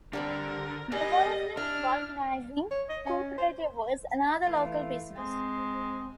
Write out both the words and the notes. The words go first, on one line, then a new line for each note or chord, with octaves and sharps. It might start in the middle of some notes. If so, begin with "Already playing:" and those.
The Wollaston Vulcanising Co-Operative was another local business.
D3 G3 A3 C4 D4 A#4
G3 B3 A#4 D#5 G#5
D4 E4 F6
C#5
D#5
C#4
C5
E3 A3 F4
G#3 C4